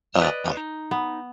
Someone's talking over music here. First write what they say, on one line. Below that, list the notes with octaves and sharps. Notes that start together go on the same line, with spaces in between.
uh, um,
B4 D5 D#5
D#4
B3